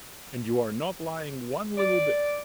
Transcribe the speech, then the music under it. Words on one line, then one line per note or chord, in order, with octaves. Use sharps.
And you are not lying one little bit.
D5